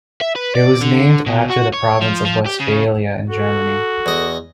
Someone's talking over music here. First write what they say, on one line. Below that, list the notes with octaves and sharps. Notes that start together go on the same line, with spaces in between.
It was named after the province of Westphalia in Germany.
E5
B4
D5
D3
B2
F#4
C#5
F3
F3
G4
C#3
F#4 A4
E2 D#5